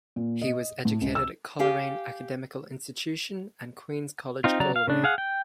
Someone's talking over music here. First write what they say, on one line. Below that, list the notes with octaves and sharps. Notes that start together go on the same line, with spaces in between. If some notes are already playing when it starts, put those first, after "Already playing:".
He was educated at Coleraine Academical Institution and Queens College Galway.
A#2
D#5
A2
C#2
E6
G4 F5 G#5
C4 D#4 F4
C#3 F#3 D5 A#5
F5
C#3 D4
G#4 F5 F#5
G5